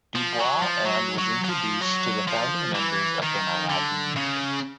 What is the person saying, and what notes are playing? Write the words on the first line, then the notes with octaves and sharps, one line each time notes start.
Du Bois and was introduced to the founding members of the Niagara Movement.
F3
F#3
F3
F#3
F#3
F#3
F3
F#3
F3
E3
D#3
D3
C#3